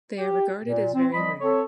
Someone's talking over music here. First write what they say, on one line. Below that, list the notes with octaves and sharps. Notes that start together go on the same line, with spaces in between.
They are regarded as very rare.
G4
A#2
C4
F3 G3 D#5 B5
C4 A4 C#5